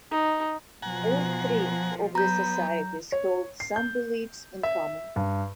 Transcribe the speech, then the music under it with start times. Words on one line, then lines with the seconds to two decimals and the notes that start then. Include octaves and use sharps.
All three of the Societies held some beliefs in common.
0.11 D#4
0.82 B2 F3 F#5 G#5 A#5
2.15 F#3 B3 A#5 G6
3.12 C#5
3.60 C7
3.76 G6
4.63 E5
5.16 G2